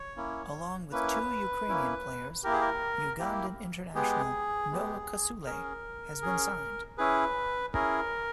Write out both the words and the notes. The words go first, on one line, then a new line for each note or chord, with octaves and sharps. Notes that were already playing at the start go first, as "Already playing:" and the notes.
Along with two Ukrainian players, Ugandan international, Noah Kasule, has been signed.
Already playing: C#5
A#3 C#4 E4
A#3 C#4 E4 B4
A#3 C#4 E4
A#3 E4 G4 A#4
G#4
A#4
A#3 E4 G4
G#3 B3 G4 G#4
G#3 B3 G4
C#4 G#4 A#4
C#4 G#4
C#4 E4 G#4 B4
C#4 E4 G#4 A#4